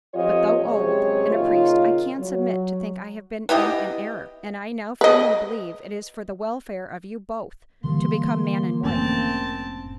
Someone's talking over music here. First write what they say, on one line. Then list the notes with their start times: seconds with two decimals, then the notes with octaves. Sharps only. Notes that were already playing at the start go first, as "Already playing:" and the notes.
But though old, and a priest, I can submit to think I have been in an error; and I now firmly believe, it is for the welfare of you both, to become man and wife.
0.14 F2 F3 F4 G4 C#5 D#5
0.61 F#2 C3 G#3 C4 G#4 C#5
1.30 A#2 C#3 A#3 D#4 F4
2.19 F#3
3.49 B3 E4 G4 D#5
5.01 B4 D#5
7.84 D3 E3 G3 A#3 C6
8.83 F1 A2 C4 C#4 A5